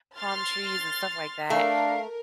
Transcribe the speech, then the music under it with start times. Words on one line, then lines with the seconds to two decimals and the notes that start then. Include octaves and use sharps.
palm trees and stuff like that.
0.17 C6 F6 A6
1.50 A3 D4 A#4 F5